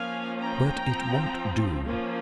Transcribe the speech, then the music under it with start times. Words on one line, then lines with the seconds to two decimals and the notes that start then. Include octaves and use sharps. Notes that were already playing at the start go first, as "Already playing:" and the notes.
'But it won't do.
Already playing: F3 A#3 C#4 F5 G#5
0.40 G5 A#5
0.88 F3 C4
1.85 F3 A#3 C#4